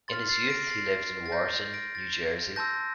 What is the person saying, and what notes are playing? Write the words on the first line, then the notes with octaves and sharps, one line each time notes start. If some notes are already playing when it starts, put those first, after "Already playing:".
In his youth he lived in Wharton, New Jersey.
C6 F6 A6
A6 C7
A#6 D7
A6 C7
A6
G6 A#6
A#6 D7
A6
A5 C6 E6 G6 A#6